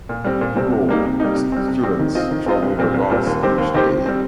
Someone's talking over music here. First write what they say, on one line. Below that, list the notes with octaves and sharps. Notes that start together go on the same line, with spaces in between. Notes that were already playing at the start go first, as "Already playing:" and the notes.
Rural students travel by bus each day.
A#2
G3 C4
A#2
G3 C4
C3
G3 A#3 D#4
C3
G3 A#3 D#4
C3
G3 C4
C3
G3 C4
D#3
C4 F4 D#5
D#3
C4 F4 D#5
C2
A#2 G3 C4 F4
C2
A#2 G3 C4 F4
D#2
D#3 C4 G4 C5
D#2
D#3 C4 G4 C5
C3
G3 C4